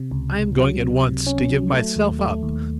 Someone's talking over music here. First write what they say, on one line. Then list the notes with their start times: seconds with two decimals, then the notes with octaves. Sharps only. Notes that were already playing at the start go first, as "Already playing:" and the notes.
I am going at once to give myself up.
Already playing: C3
0.11 C#2
0.34 C#2
0.57 F#3
0.80 C3
1.03 C3
1.26 C#4
1.50 F#3
1.73 A3
1.96 D#2
2.19 A3
2.43 D#2